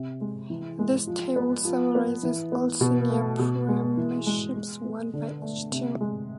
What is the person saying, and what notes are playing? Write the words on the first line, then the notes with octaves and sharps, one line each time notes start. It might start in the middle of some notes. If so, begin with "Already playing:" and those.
This table summarises all senior premierships won by each team.
Already playing: C3 C4
G#3
E3
G#3
F3
B3
F3
B3
E3
B3
B2
A3
B2
G#3
E3
G#3
G#3
B3
D3
A3
C3
G#3